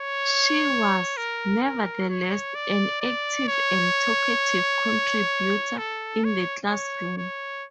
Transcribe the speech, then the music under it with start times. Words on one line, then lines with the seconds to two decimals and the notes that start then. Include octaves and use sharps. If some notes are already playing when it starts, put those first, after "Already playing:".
She was, nevertheless, an active and talkative contributor in the classroom.
Already playing: C#5
1.17 A#4
1.64 A#4
2.09 C#5
2.55 D5
3.01 D5
3.48 C#5
5.78 A4
6.24 C#5
6.70 C#5
7.17 C#5